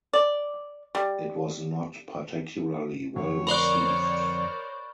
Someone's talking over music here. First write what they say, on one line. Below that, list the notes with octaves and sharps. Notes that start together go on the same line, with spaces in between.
It was not particularly well received.
D5
G3
F2 D3 C#5
A#4 C5 D5 B5 C#6 F#6